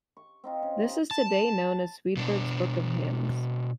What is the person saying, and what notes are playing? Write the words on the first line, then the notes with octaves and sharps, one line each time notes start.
This is today known as Swedberg's Book of Hymns.
C#6
C4 D#4 F4
C#3
C#4 D#4 G4
A5
B2 D4